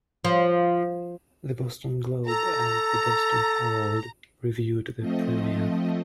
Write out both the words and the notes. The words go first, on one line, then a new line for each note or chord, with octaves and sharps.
"The Boston Globe" and "The Boston Herald" reviewed the premiere.
F3
A4 A#5
F3 A3 C4 D#5